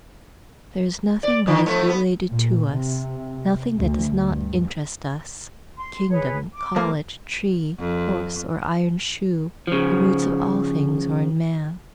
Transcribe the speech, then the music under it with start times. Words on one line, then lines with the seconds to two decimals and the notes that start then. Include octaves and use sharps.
There is nothing but is related to us, nothing that does not interest us,--kingdom, college, tree, horse, or iron shoe,--the roots of all things are in man.
1.23 D5
1.47 B2 D3 D#3
1.66 F3 A3 B3
1.89 B3
2.29 A#2
2.69 C3
3.76 D2
4.29 G2
5.77 C6
6.09 G#4 B4 C#5
6.53 D6
6.76 F3 A3 A#3
7.80 F2
9.67 C#3 F3